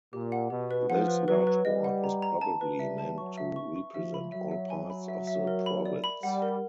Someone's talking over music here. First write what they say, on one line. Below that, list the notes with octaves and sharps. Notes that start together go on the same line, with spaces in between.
This large board was probably meant to represent all parts of the province.
A#2 G4
F#5
B2 G4
B4
F3 F#5
B4
F#3 B4
B4
G3 D#5
F#5
A#5
A#5
A5
B4
G3 E5
A5
F#3 C#6
E5
C#6
C#6
F3 E5
B5
F#3 E5
E5
G#5
B5
E5
E5
A#4
B5
D5
B5
G3 F#5
A#4